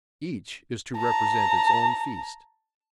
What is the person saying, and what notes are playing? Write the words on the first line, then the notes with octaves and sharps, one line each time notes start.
Each is to represent its own feast.
A5 A#5